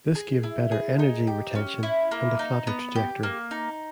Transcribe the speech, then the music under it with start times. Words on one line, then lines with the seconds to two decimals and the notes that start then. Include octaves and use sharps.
This gave better energy retention and a flatter trajectory.
0.15 G#4
0.43 E4
0.71 G#4
0.99 D#4
1.27 G4
1.55 C#4
1.83 E4
2.11 A#3
2.39 D#4
2.67 B3
2.96 G4
3.23 A#3
3.51 D#4